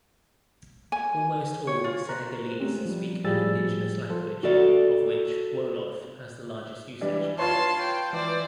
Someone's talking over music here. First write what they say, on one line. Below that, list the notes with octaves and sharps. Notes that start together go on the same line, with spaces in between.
Almost all Senegalese speak an indigenous language, of which Wolof has the largest usage.
G#5
C#5
F4
A#4 C5 A#5 F#6
G#3 A3 C4 C#4 G4
F3 G3
A2 F3 G3 G#4 E6 A6
F3 A4 C5
F#4 A4 D5
E3 G3 D4
F4 B4 C#5 A5 C6
G5
E3 C5 D5